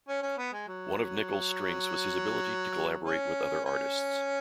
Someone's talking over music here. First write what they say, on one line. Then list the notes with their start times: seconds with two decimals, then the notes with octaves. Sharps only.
One of Nichol's strengths was his ability to collaborate with other artists.
0.08 C#4
0.22 C#4
0.38 B3
0.53 G#3
0.68 F#3
3.05 C#4
3.65 C#4